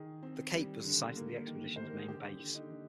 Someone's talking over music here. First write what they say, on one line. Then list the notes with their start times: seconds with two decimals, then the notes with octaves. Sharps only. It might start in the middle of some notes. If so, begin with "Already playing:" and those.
The cape was the site of the expedition's main base.
Already playing: D#3 G#4
0.23 C4
0.53 G3
0.84 D3
1.16 A#3
1.47 D#3
1.76 G3 C5
1.87 A#4
1.98 G#4
2.08 D3 G4
2.40 D3
2.55 D#4
2.70 D3